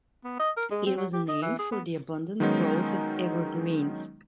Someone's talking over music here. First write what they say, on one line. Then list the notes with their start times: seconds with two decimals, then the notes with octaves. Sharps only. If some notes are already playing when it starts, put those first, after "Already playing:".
It was named for the abundant growth of evergreens.
0.24 B3
0.39 D#5
0.57 A#4
0.71 G#3
0.86 C4
0.97 F#3
1.13 G4
1.28 D#5
1.42 E3
1.59 G#4
1.71 B3
2.40 D#3 F#3 G#3 B3 C#4 D#4